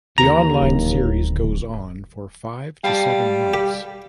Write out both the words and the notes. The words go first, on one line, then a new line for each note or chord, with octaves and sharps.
The Online Series goes on for five to seven months.
D#2 A#5
D1
G3 F5 G5 A5
G4